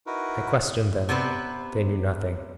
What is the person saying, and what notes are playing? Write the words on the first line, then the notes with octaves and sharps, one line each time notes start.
I questioned them. They knew nothing.
D#4 E4 F#4 A#4 B4
C3 B3 C4 B4